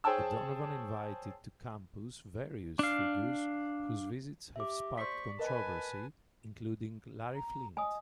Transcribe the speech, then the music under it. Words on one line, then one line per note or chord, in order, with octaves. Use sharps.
O'Donovan invited to campus various figures whose visits have sparked controversy, including Larry Flynt.
G#4 C5 C#5 G5 A5 E6
D4 F5
G4 E5 D6
C5 D5 C#6 B6
A#4 B4 D#5 G#5 A5 B5
A#5
D#5 G#5 D#6